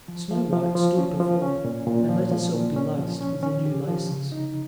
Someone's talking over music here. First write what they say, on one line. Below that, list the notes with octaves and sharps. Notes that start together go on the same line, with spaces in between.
Snow-white stood before her, and let herself be laced with the new laces.
F3
F3
F3
F3
C#4
F3
C#4
A#2
A#2
F3
F3
A#2
C#4
F3
C#4
C#4
G4
F3
C#3
D#4